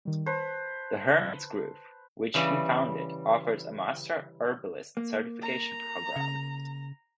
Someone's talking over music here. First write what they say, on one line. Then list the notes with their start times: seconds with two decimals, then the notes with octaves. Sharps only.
The Hermit's Grove, which he founded, offers a Master Herbalist certification program.
0.05 D#3 G3
0.26 B4 C5 A5
2.34 C#3 E3 G3
4.97 A#3
5.42 A#5
6.16 C#3